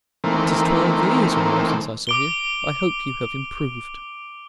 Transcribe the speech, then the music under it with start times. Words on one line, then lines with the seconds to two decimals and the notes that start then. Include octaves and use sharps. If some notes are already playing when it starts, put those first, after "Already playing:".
"It is twelve years or more since I saw you; I hope you have improved."
0.24 D#3 E3 A3 A#3 C4
2.07 D6 D7 G7